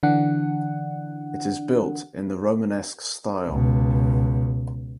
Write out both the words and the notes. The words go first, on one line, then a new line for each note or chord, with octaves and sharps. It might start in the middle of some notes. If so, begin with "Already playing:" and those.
It is built in the Romanesque style.
D3 E3 D4 F#5
C#2 B2